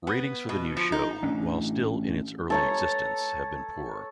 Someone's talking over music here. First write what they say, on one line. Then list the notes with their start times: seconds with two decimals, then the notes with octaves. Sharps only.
Ratings for the new show, while still in its early existence, have been poor.
0.07 B3
0.49 B2
0.77 F3
0.92 D#4
1.23 A1 C#4 D4
2.50 A4 C#5 A#5